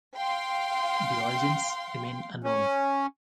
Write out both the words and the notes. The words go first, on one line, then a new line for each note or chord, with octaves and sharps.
The origins remain unknown.
F5 G5 C6
C#4